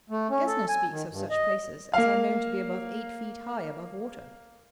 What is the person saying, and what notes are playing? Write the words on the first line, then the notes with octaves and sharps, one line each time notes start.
Gesner speaks of such places as are known to be above eight feet high above water.
A3
C#4
A4
G#5
D#3
G2
D#5
A#3 F5